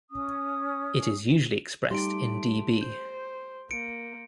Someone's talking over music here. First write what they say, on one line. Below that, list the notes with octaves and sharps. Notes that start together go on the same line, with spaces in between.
It is usually expressed in dB.
C#4 D#6
G3 A3 D#4 G4 C6 D7
C5 G6
A#3 C#7 D7